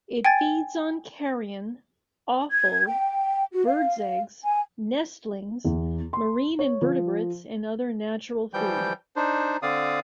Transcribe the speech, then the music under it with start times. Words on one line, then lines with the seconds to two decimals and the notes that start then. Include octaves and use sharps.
It feeds on carrion, offal, bird eggs, nestlings, marine invertebrates and other natural food.
0.25 G5 G#5 G#6 A6
2.51 G#6
2.86 G5
3.52 F#4
3.65 F5
4.44 G#5
5.65 E2
6.13 C6
6.59 C#5
6.81 F3
8.54 E3 F3 G3 G5 G6
9.16 D4 D#4 C5
9.62 D3 C4 D5 F5 D#6